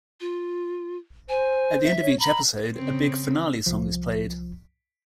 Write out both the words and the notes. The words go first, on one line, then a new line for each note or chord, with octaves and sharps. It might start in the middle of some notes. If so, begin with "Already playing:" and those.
At the end of each episode, a big "finale" song is played.
F4
C5 G#5
E5
C#5
A#5 B5
C#3 C4
C2 F3